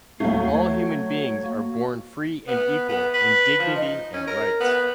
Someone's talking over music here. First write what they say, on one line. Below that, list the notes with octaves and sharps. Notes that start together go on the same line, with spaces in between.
All human beings are born free and equal in dignity and rights.
D#2 F#3 A3 F5
C#5
A#3 F#4
B3
B3
B4
F3
D#4
C#4
A#4
B3